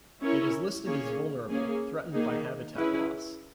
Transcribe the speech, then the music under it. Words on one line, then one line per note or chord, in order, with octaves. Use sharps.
It is listed as vulnerable, threatened by habitat loss.
C#4 E4 A#4 C#5
A#3 C#4 G#4 C#5
A#3 C#4 G#4
D#3 A#3 D#4 G#4
C#4 E4 G#4 B4